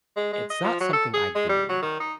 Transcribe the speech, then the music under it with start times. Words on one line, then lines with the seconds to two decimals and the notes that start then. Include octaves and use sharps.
it's not something I do
0.16 G#3
0.33 G#3
0.50 D#5
0.64 F3
0.81 F#3
0.93 A4
1.14 G#4
1.35 G#3
1.49 G3
1.69 F#3
1.83 D#3
2.00 D#4